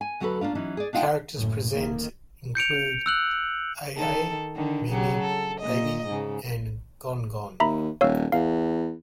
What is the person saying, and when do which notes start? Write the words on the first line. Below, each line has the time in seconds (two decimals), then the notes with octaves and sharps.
Characters present include AiAi, MeeMee, Baby, and GonGon.
0.01 G#5
0.20 D2 F#3 F#4 G4 A4 B4
0.41 A#3 C#4 D4 F4
0.55 E3 F#3 C#4 D#4
0.77 G#4 D5
0.93 D4 D#4 F4 D#5 F#5 G5
1.35 F#1 A2
1.72 A1 A2 D#3 A#3
2.55 G6 C#7 D7 F7
3.06 E6 F#6 F#7
3.96 D#3 A4
4.55 D3 D#3
4.90 C#3 F#3 G4
5.21 A4
5.60 A#2 D#5
6.07 G#2 C#3
7.60 D#2 E5 A#5 B5
8.01 D#1 C#5 F5 E6
8.32 E2 F5